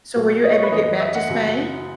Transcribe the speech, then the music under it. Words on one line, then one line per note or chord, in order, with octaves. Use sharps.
So were you able to get back to Spain?
A#2 F#3
D#5
C#5
B4
F#2 E3 D#5
E5
F#5
F#2 C#3 F#3